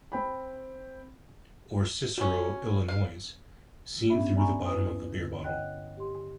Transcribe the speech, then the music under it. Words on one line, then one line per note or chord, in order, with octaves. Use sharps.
Or Cicero, Illinois, seen through the bottom of a beer bottle.
C4 G5 B5
G3 C#4 F#4
F5
G2 B3 C#4 D4 E5 B5
D5 G#5 A#5 B5 C#6
E4 B4 D#6
D3
C#5 D#5 F#5 G5 F#6
G4 C6